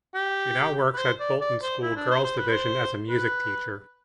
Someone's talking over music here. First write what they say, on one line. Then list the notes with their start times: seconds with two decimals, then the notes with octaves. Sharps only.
She now works at Bolton School Girls Division as a music teacher.
0.14 G4
0.94 B4
0.98 C5
1.20 D5
1.41 D5
1.62 C5
1.82 E4
1.96 D4
2.11 C5
2.24 C5
2.38 B4
2.52 C5
3.09 B4